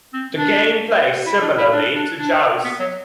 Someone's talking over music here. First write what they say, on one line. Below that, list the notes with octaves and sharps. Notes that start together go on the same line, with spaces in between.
The game plays similarly to Joust.
C4
D4
E4
D4
E4
D4
D4
D4
B3
F#3